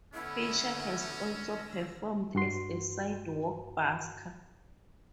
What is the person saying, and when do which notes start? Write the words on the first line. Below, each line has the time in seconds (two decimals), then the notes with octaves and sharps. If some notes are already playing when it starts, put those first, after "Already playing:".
Fisher has also performed as a sidewalk busker.
0.14 D3 A3 B3 C#4 E4 E6 A#6
2.35 G2 F#4 C6